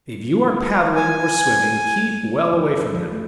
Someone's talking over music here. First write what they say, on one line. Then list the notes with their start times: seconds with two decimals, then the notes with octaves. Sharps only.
If you are paddling or swimming, keep well away from them.
0.96 G#5
2.53 F3
2.68 A4
2.81 B4
2.95 F3
3.12 A3